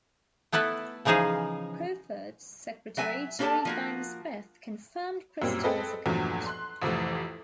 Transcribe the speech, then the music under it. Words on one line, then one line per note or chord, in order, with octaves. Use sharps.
Crawford's secretary, Jeri Binder Smith, confirmed Christina's account.
A3 B3 E4 A4 B4
C#3 E3 F3 D#4 G#4 F5
F#3 E5 G#5
A#3 D4 G4 A4 A5
F3 A#3 F#4
F#2 A#2 G3 A#3 C4
C4 G#4 A4 B4 D#5
E2 G2 A#2 F3 F#3 A3
C6 F#6
A1 F2 C3 E3 A3